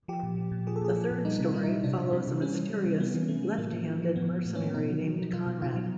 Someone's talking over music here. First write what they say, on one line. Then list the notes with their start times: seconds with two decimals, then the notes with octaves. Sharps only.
The third story follows a mysterious, left-handed mercenary named Konrad.
0.08 F3 G4
0.23 A#2
0.37 F3
0.52 A#2
0.67 F3 G#4
0.76 A4
0.82 A#2 G#4
0.96 F3
1.11 A#2
1.25 G3 D#4
1.39 C3
1.45 F4
1.54 G3 E4
1.63 C3 D#4
1.84 C3 D4
1.98 C3
2.13 C3
2.27 C3
2.41 G3 C#4
2.56 E3
2.70 G3
2.86 C3
3.00 C3 B3
3.15 E3
3.28 E3 A3
3.43 G3
3.57 A2 A#3
3.72 F3
3.87 F3
4.02 F3
4.16 A2 B3
4.30 A2
4.45 A2
4.55 C#4
4.60 F3
4.74 B2 D#4
4.89 F#3
5.04 F#3
5.18 F#3
5.33 B2 F4
5.47 B2
5.62 B2 F4
5.76 F#3